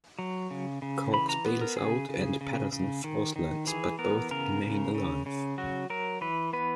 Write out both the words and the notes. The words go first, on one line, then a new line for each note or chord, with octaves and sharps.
Cox bales out and Patterson force-lands but both remain alive.
F#3
C#3
C#3
E3 B5
A#5
B3
A#4
C#3 G#4
C#3
C#3
C#3
D#3
D#3
E3 G#4
B3 A#4
C#3 A#4
C#3
C#3
C#3
F#3 F#4
F#3 A#4
E3 B4
B3 B4